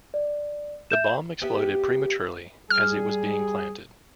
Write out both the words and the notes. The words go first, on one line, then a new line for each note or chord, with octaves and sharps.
The bomb exploded prematurely as it was being planted.
D5
E5 G6 E7
B3 G4 E5
G3 G#4 F6